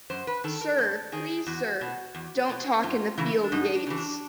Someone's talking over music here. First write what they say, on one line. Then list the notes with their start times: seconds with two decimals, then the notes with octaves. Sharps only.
"Sir, please, sir — " "Don't talk in the field, Yates."
0.10 F#2 C5
0.27 B4
0.44 D#3 A4
0.61 A#4
0.78 F#2 A4
1.12 D#3 G#4
1.47 E2 F#4
1.81 B2
2.15 E2
2.49 B2
2.83 F#2 F4
3.18 C#3 E3 E4
3.44 D4
3.52 F#2 D#4
3.75 D4
3.87 C#3 E3
3.98 D4